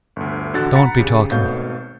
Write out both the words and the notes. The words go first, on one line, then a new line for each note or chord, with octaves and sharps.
Don't be talking!
G1 D2
A1 D3 F#4 F#5 F#6 A6
F#5 A#5 B5 A6 C#7
C#3 G4
G#1 B2 A3 C#5 F5 G6